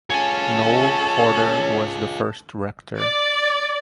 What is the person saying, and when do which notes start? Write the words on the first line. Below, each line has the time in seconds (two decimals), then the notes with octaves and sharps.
Noel Porter was the first rector.
0.10 F4 G#4 A4 C#5 G#5
2.98 D5